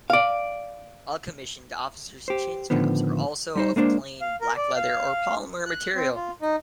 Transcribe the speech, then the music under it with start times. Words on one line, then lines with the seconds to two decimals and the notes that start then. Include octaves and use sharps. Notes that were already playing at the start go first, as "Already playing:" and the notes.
All commissioned officers' chinstraps are also of plain black leather or polymer material.
0.10 D5 F5
2.28 G4 C5
2.70 A2 D3 D#3 F3 B3
3.56 G3 D#4 C5
3.76 G#3 A#3 D4 C5
4.21 F5
4.41 A#4
4.56 D5
4.76 F5
5.66 F#6
5.95 C4
6.15 F4
6.42 D#4